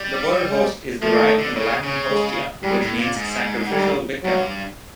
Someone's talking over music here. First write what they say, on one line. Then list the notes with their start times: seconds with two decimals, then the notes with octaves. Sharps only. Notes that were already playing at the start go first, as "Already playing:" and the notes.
The word "host" is derived from the Latin "hostia", which means "sacrificial victim".
Already playing: G3
0.49 G#3
1.02 F3 A3
1.14 E3
1.19 D#3
1.38 D3
1.56 C#3
1.83 C#3
2.09 G#3
2.63 G#2 G3
2.81 A2
2.98 A#2
3.16 G#2
3.70 G3
4.23 G2 F#3